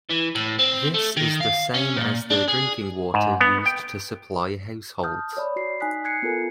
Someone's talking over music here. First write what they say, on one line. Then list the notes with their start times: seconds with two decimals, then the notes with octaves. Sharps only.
This is the same as the drinking water used to supply households.
0.10 E3
0.35 A2
0.59 C4
0.94 A3
1.17 D#3
1.41 F5
1.74 C#4
1.96 A#2
2.30 D4
2.48 G#4
3.14 G#2
3.41 B3
3.66 G5
5.04 A5 D#6 F6 G6
5.37 C#5 D5 B5
5.56 F#4 C7
5.80 D#4 G#5 D#6 F#6 B6
6.05 F#6 G#6 C7 C#7
6.22 B3 F4 A4 A#4 G#5